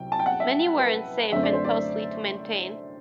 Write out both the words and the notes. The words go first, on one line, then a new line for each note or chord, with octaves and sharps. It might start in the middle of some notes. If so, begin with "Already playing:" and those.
Many were unsafe and costly to maintain.
Already playing: C2 C3 F#3 G5
A5
G5
F#5
E5
B4
F#2 D3 A3 C4 E5
D5
C5
D5